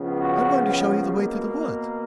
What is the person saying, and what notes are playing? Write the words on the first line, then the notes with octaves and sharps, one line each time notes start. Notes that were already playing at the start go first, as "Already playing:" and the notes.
I'm going to show you the way through the woods.
Already playing: C#2 C#3 F3 B3
F#4
B2 A#3
A#4